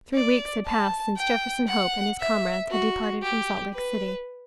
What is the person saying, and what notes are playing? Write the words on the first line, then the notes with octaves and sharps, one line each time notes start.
THREE weeks had passed since Jefferson Hope and his comrades had departed from Salt Lake City.
D5
A5
G5
F#5
E5
F#4
G4
B4